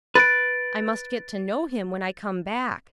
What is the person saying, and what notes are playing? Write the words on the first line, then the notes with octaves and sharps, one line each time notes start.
I must get to know him when I come back.
B4 A6 D7